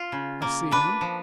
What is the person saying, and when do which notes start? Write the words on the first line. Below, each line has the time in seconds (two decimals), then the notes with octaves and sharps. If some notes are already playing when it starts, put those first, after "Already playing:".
I see him!'
Already playing: F4
0.12 C#3
0.42 A#3
0.71 D4 B4
1.01 F3